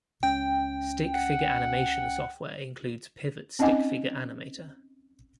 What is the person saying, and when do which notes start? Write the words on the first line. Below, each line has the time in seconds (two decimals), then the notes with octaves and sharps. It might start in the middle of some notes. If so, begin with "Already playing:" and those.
Stick figure animation software includes Pivot Stickfigure Animator.
0.23 C#2 C#4 G5 G6
1.14 F#5
3.59 C4 C#4 D#4 D#5 F#5 G#5